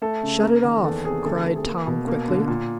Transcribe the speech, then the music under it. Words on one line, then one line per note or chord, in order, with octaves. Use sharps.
"Shut it off!" cried Tom quickly.
A3 A4
C#3
A#3 A#4
D#3
E2 A4
C3 G#4
D2 A4
A4
C3 A4
G#4
A#3
B2
A#3
D3
A#2